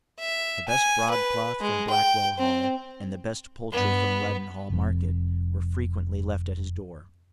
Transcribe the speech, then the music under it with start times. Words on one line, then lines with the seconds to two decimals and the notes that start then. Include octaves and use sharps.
The best broadcloth from Blackwell Hall, and the best poultry from Leadenhall Market, were frequently left at his door.
0.19 E5
0.69 G#5
1.11 B4
1.61 G#3
1.90 G5
2.38 C4
3.72 G2 B3
4.70 F1 F2